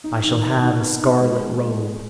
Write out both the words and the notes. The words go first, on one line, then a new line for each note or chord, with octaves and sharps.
I shall have a scarlet robe.
D#4
D#3
D#3
D#4
B3
D#4
G#3
G#4
G#3
G#4